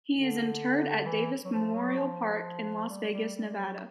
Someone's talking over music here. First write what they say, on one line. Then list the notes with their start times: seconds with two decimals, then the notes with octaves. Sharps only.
He is interred at Davis Memorial Park in Las Vegas, Nevada.
0.15 D3
1.06 E3
1.44 F#3
1.53 F3
1.74 F#3
1.97 F3
2.89 G3
3.12 G3
3.35 G3
3.58 F#3